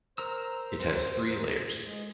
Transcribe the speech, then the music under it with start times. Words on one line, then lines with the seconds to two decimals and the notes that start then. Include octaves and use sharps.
It has three layers.
0.18 A#4 C5 A#5 E6
1.85 G#3